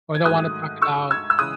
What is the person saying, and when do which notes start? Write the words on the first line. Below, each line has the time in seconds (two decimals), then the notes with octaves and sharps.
or they'll wanna talk about
0.15 G#6
0.25 G#2 D#3 F#3 A3 D#6 F#6
0.82 C#6 E6
1.11 E6 G#6
1.30 E6
1.38 C#3 E3 G#3 D#6 F#6